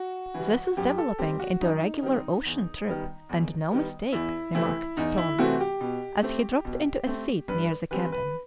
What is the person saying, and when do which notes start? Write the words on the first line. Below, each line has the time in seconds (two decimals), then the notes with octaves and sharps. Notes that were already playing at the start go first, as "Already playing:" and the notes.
"This is developing into a regular ocean trip and no mistake," remarked Tom, as he dropped into a seat near the cabin.
Already playing: F#4
0.34 E3 G3
0.77 F#2 G4
0.98 A4
1.19 D#3 G3 C4 G4
1.39 F#4
1.61 F#2 D#4
2.02 D#3 G3 C4
2.45 E2
2.87 D#3 G3 B3
3.29 E2
3.71 D#3 G3 B3
4.12 E2 E4
4.54 C3 E3 A3 C4 E4
4.97 E2 D#4
5.18 E4
5.38 C3 E3 A3 C4 F#4
5.60 G4
5.81 B2
6.22 A3 C4
6.65 B2
7.07 A3 C4
7.48 G2 B4
7.91 E3 G3 C4 B4
8.12 B4